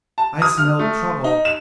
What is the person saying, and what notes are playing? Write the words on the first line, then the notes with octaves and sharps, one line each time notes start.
I smell trouble.
A5
D#6
F6
A3
D#4
E7